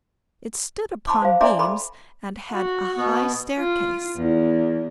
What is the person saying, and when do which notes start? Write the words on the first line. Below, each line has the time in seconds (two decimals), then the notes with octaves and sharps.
It stood upon beams, and had a high staircase.
1.07 A5 B5 C6 D6
1.22 C5 F5
1.41 D5 E5 G#5 A#5 C6 D6
1.59 A4 B5 C6 D6
2.51 F#4
2.97 B2 B3
3.57 F4
4.16 E2